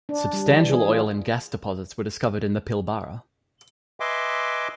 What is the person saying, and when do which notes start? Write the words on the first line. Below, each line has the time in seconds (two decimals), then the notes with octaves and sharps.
Substantial oil and gas deposits were discovered in the Pilbara.
0.09 D4
0.33 G3
0.51 E3
0.70 G#4
0.90 F4
4.00 B4 D#5 E5 G#5 C6 D6